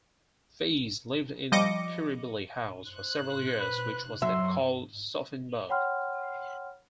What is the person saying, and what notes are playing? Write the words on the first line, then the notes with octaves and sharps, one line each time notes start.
Feez lived in Kirribilli House for several years which was then called Sophienberg.
F3 G3 D#5 D6 A#6 C#7
C5 F#6
B4
F#3 E5 C6
C#5 F#5 G5 B5 C6 F6